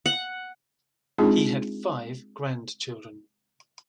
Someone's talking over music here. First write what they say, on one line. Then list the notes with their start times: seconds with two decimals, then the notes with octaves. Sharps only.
He had five grandchildren.
0.06 F#5
1.18 G#3 C4 D4 D#4 F4 G#4